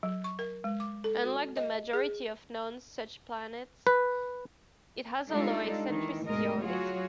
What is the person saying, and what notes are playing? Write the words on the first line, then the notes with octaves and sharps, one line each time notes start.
Unlike the majority of known such planets, it has a low-eccentricity orbit.
F#3
C#6
A#4
G#3
D6
A4
F#4
D#5
G#4
B4
G3 G#3 D4 D#4 F4 A4
D#3 E3
D2 G#2 B2 G#3 A#4 D#5
F#3 F4 F#4 G#4 C#5